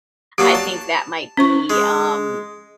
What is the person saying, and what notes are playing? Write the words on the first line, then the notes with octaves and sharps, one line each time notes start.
I think that might be, um,
F#3 A#3 D4 G4
A5
C#4 C5 C#6
G#3